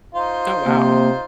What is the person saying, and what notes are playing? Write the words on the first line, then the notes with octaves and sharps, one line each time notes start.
Oh, wow.
D#4 F4 C5
C3 A#3